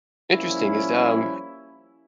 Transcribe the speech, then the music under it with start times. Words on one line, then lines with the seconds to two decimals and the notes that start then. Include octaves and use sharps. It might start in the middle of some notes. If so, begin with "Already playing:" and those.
Interesting, is, um,
0.33 F3 G3 A#3 C#4 E4